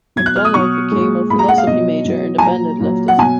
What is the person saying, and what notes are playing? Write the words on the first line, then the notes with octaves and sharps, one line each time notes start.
MacDonald became a philosophy major and abandoned leftism.
B2 F#3 G#6
F#6
F6
D#6
B2 F#3 C#6
A#2 G#3
A#2 G#3 B5
A#5
F#5
F5
B2 F#3 D#5
B2 F#3
G#5
A#2 F#3 A#5
A#2 F#3
F#5
B2 F#3 G#5